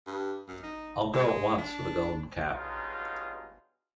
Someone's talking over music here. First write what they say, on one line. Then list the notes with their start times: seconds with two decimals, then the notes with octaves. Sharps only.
I'll go at once for the Golden Cap.
0.06 G2
0.48 F#2
0.63 D#4
1.14 G#3
1.58 D4
2.54 G2 B2 F#3 D#4 F4 G#4